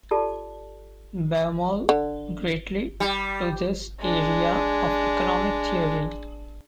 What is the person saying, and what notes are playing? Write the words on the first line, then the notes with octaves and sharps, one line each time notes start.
Baumol greatly to this area of economic theory.
F4 G4 A4 D5 A5
D3
G3
G#3 D4